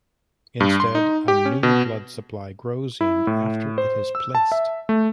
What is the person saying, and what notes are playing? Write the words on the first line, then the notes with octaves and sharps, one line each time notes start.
Instead, a new blood supply grows in after it is placed.
G2
C6
D#4
G4
C#4
B2
E4
A2
C5
E6
A5
E5
A3